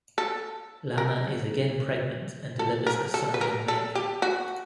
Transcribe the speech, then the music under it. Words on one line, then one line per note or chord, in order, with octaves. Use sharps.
Lana is again pregnant and delivers a son in May.
A4
A#4
A4
A#4
A4
B4
A#4
A4
G4
F#4